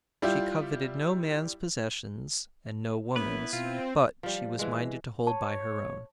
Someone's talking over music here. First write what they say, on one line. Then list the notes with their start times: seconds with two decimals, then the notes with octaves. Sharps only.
She coveted no man's possessions,--and no woman's; but she was minded to hold by her own.
0.22 G3 E4 F4 G4
3.16 A#3 B3 C#4 E4 B4
3.53 B2 C4 F4
4.23 F3 G3
4.59 E3 G#3
5.27 C#5 A5